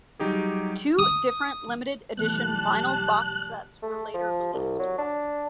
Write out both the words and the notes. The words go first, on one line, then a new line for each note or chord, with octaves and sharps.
Two different Limited Edition Vinyl Box sets were later released.
F#3 G3 D#4 G4 G#4
D#6
B1 E3 G3 A3 B3 A5 F#6
A3
F3
C2
F#3
D4